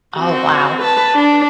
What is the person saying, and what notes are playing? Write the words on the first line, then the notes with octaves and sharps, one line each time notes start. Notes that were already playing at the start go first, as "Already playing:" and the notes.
Oh, wow.
C4 F#4
B4 A5
D4